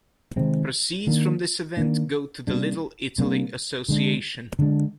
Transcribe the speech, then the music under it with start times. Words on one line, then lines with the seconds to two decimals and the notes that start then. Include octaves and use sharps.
Proceeds from this event go to the Little Italy Association.
0.36 C3 D#3 G#3 C4
1.07 D#3 A#3 D4
1.77 D#3 A#3 D4
2.47 C3 G3 A#3 D4
3.18 C3 G3 A#3 D4
3.89 D3 G#3 D4
4.59 D3 G#3 D4